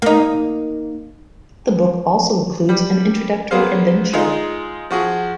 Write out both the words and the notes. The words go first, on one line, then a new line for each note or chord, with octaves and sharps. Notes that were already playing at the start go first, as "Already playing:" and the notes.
The book also includes an introductory adventure.
A#3 D#4
G3
A#3 B3 G#4 C5 F5
G#3 D#4 F4
F3 F#4 G#4